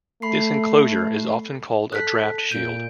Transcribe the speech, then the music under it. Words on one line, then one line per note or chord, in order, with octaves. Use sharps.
This enclosure is often called a draft shield.
A3 B5 C6 C7
A4 F#6 B6
A#2 G6 D7